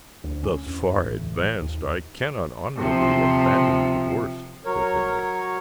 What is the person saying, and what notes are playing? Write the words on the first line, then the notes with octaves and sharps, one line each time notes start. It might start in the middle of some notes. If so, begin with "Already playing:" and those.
"Thus far advanced, I cannot honourably abandon the divorce," said Henry.
D2
C#4
E2
A1
D#2
C3 F3
F#3 A#4 C#5